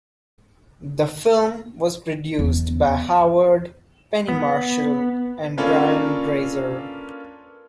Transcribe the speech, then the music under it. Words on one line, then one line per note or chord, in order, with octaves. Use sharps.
The film was produced by Howard, Penny Marshall, and Brian Grazer.
E2
B3
A#3 C#4 D4 F4 A4 B4